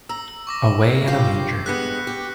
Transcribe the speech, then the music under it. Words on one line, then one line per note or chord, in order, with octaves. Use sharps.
Away in a Manger.
A#5 E6
C#6 D6 A#6
G2 F4 G4 G6 C7
G2 G#3 B3 F#6 B6 C#7
G4